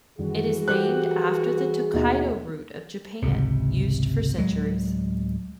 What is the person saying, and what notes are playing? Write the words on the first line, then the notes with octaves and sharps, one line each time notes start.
It is named after the Tokaido route of Japan, used for centuries.
F#2 D#3 E3 G3 F#4 G#4
G3 G4 A4 C5 F#6
D#2 B2 A#3 D#4 E5
G#1 C#2 C3
D1 D#2 F#3 G#3